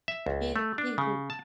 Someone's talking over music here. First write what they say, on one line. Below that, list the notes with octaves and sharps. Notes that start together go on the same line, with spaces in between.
She's she's n
E5
C#2
A3
D4
C#3
A5